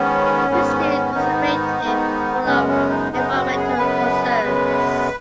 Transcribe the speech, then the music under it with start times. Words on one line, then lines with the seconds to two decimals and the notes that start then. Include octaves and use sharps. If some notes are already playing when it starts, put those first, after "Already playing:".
Christian conservative, full of environmental concerns.
Already playing: G#2 D#3 B3 C#4
0.49 G#2 D#3 B3
1.14 G#2 D#3 B3 D#4
1.81 G#2 D#3 B3
2.46 F#2 C#3 G#3 B3 C#4
2.68 C#4
2.89 D#4
3.12 F#2 C#3 G#3 B3 D#4
3.34 F#4
3.56 G#4
3.77 F#2 C#3 G#3 B3 B4
4.43 F#2 C#3 G#3 B3